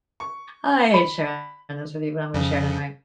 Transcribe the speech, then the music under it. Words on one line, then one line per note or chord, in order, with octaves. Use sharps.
I hate sharing this with you, but I'm gonna share it anyway.
C#6
B5
F2 C#3